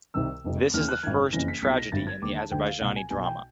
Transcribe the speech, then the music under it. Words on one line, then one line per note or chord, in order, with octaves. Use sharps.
This is the first tragedy in the Azerbaijani drama.
C2 C3 D#3 E6
F1 F2 C3
D#2 C#3 E3 F6
F#6
G#1 F#2 D#3 G#6
F#1 F2 C#3 E3 A#6
B6
B1 B2 B6
A#6
G#1 G2 D3 A6
G#6
D#2 D3 D6
A5
D2 D3 G5
F5
C2 A#2 F#5
G#5
B1 B2 G#5
G#5
G5